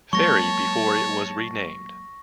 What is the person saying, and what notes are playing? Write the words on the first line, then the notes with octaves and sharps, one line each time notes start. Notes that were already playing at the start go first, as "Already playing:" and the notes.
Ferry before it was renamed.
F#3 G#3 A#3 C#5 A5 C#6 A#6